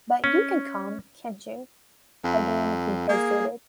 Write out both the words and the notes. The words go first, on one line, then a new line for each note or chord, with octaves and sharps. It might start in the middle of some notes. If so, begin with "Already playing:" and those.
"But you can come, can't you? — " Again he hesitated.
C#4
F2
A#3 G#4